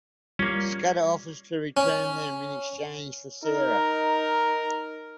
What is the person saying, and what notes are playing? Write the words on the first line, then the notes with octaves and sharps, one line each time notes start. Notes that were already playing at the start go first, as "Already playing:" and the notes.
Scudder offers to return them in exchange for Sarah.
G3 A#3 C#4 F4
C#4
D#4 A#4